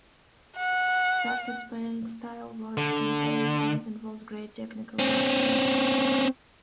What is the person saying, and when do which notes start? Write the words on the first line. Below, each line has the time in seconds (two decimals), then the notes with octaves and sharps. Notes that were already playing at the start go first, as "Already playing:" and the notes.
Starker's playing style was intense and involved great technical mastery.
0.57 F#5
2.77 D3
4.99 C4 C#4